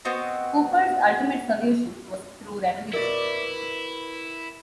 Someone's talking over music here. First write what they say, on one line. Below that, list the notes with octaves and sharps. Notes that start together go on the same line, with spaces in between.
Cooper's ultimate solution was through revolution.
B3 C4 F#4 D#5
B2 E4 A#4 B4 D5 E5